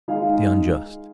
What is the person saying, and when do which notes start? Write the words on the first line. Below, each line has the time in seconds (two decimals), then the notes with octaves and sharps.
The unjust?
0.08 G#3 D#4 G#4 F5